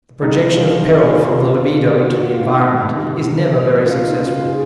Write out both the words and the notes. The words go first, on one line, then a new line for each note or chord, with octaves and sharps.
The projection of peril from the libido into the environment is never very successful.
C2 D#4
C3 D#3 F4
F2
F4
C3 D#3
F4
C#2 F4
C3 D#3 F4
F2 F#4
D#3 F4
D#4
F2
C3 D#3
C2
A#2
C#2 F4
D#4
C#3
F4
G#4